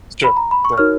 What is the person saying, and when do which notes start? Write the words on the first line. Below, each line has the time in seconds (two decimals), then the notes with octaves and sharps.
It's true, sure.
0.24 B5
0.37 A#5
0.51 B5
0.65 C#6
0.78 D#4 F#4 A#4 C#5 F6